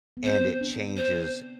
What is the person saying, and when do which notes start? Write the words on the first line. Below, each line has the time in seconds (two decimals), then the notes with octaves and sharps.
and it changes
0.17 B3
0.24 C4 C5
0.61 D4
0.97 C5